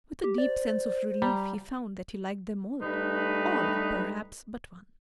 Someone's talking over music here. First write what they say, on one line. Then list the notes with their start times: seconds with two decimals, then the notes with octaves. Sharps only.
With a deep sense of relief he found that he liked them all. All, perhaps, but one.
0.24 G4
0.38 C5 D5
1.22 G3 A#5
2.82 G2 G3 A3 D#4 B4